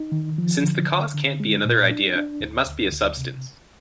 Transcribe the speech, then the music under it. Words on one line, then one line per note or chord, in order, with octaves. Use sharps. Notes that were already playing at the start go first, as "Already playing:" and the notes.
Since the cause can't be another idea, it must be a substance.
Already playing: D#4
D#3
F3
D3
D3
D3
G#3
A#2
D4
D4
D2
D2
D2
C3